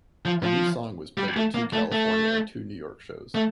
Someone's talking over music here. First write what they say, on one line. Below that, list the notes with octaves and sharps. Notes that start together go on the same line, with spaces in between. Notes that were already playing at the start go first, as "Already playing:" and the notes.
A new song was played at two California and two New York shows.
F3
F3
G3
A3
A#3
A3
A3
A3